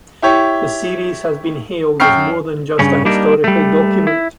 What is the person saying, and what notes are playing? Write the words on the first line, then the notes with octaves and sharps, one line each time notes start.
The series has been hailed as more than just a historical document.
E4 G4 C#5
F#2 G5 C#6 F6 C7
G2 C#3 C#4
G3 A#3 D4 D#4
G3 A3
E4